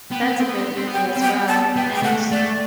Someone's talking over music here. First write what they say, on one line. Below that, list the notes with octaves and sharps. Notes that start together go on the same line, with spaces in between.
That's a great movie as well and
B3 G5
C4
B3
C4
B3
C4
B3
C4
B3
G5
C4
B3
C4
B3 G5
A5
B3 G5
G5
A3 F#5
A3 D5